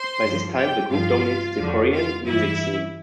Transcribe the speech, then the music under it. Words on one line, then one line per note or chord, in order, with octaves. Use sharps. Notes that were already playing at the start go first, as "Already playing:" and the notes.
By this time, the group dominated the Korean music scene.
Already playing: C5 C6
G2 F3
G4 G5
G2 F3 F4 F5
F2 D3 F3
F4 F5
G2 E3 E4 E5